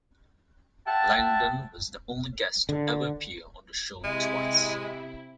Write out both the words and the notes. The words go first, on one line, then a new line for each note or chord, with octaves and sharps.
Langdon was the only guest to ever appear on the show twice.
E5 F#5 G5 A5
D3
C3 G#3 E4